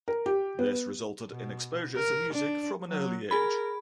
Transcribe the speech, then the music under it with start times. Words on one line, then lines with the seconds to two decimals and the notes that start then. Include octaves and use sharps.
This resulted in exposure to music from an early age.
0.08 A#4
0.26 G4
0.59 B3
1.30 B2
1.95 A#4
2.34 D4
2.89 F#3
3.31 G#4 A#4 B5